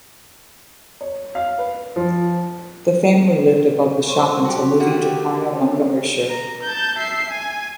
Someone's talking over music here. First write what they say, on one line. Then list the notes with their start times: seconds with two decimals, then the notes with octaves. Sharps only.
The family lived above the shop until moving to Carno, Montgomeryshire.
1.01 C#5
1.35 F5
1.59 B4
1.96 F3
4.07 A#2 D3 C4 C6 C#6
4.45 F#4 G4
4.80 A3 A#3 F#4 G4
5.20 A#4
5.51 C4 D4 C#5
6.30 A#5
6.63 A5 G6
6.98 E5 C7
7.30 G#5